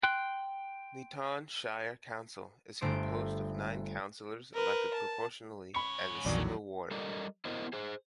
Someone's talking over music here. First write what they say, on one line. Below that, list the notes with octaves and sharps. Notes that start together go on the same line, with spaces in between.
Leeton Shire Council is composed of nine councillors elected proportionally as a single ward.
G5 C6 F#6
G1 A3 C5 D7
A#4 B4
A5
G#2 C#5 B5 C#7
A#1 E2 G2 D#3 F#3 D5
G3 A4 A#4 D5 D#5
B3 E4 A#4 C5 D#5
G#4 C5